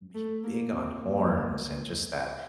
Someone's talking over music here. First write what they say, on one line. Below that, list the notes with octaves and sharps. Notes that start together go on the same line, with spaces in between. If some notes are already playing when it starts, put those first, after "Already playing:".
he big on horns and just that
A3
A#3
C4
A#3